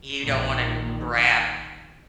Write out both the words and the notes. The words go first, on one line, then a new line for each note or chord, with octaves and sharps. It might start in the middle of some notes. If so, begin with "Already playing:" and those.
you don't wanna grab
A#1 A#2 D#3